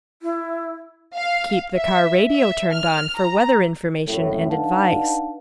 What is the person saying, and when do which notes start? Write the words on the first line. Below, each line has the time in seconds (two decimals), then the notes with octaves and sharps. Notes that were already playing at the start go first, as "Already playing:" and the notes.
Keep the car radio turned on for weather information and advice.
0.22 E4
1.16 F5
1.76 E5
2.31 E5
2.73 F6
3.18 A#5
4.07 C2 F#2 A2
4.51 D4 D#4 B4 F5 F#5 A5